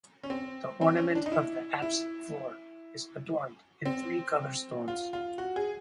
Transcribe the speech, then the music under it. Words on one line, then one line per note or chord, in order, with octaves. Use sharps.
The ornament of the apse floor is adorned in three color stones.
C#4
C4
C4
C#4
D4
D#4
E4
E4
C4
F4
F4
F#4
G#4